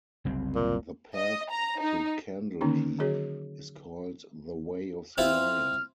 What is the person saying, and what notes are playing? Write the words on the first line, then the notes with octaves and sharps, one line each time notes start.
The path to Candlekeep is called the Way of the Lion.
F#1 C2 C4
A#2
D#5
A#5
D#4
D3 D#3 A#3 C#4 D#4
D3 F#3 F#4 G#4 C#5
C4 E4 F4 F6